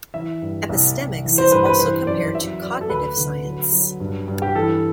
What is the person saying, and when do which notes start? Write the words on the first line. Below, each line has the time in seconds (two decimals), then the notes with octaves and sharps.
Epistemics is also compared to Cognitive Science.
0.14 E3 E5
0.42 G2
0.69 C2
0.97 C2
1.24 E3
1.38 C5
1.52 G2 B4
1.66 B4
1.80 E3 C5
2.07 F#2 D5
2.35 F#3 E5
2.62 F#3 D5
2.81 A4
2.90 D2 B4
3.17 D3
3.45 F#3
3.72 F#3
4.00 G2
4.28 G2
4.42 G4
4.55 E3 A4